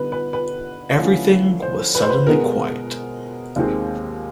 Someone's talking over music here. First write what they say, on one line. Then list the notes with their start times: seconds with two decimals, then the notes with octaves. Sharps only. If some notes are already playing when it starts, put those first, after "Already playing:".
Everything was suddenly quiet.
Already playing: D3 G3 B3 D#4 B4
0.12 B4
0.33 B4
0.98 D3 F3 A3 C#4 E4
1.62 C5
1.95 B4
2.02 C5
2.09 B4
2.27 B2 G#3 B3 A#4
3.56 D#2 D#3 G#3 C4